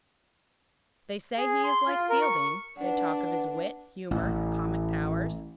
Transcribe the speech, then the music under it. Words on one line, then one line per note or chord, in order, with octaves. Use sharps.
They say he is like Fielding: they talk of his wit, humour, comic powers.
G#4
C6
F4
A#4
C#6
D4 B4 F#5
A1